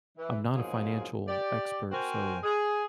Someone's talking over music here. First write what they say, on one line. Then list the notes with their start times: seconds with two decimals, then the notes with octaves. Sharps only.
I'm not a financial expert, so
0.17 E3
0.54 G#2 B2 F3 F#3 A#3 G#4
1.28 G4 D5
1.91 C4 F#4 A#4 C5 G5 G#5
2.43 G#4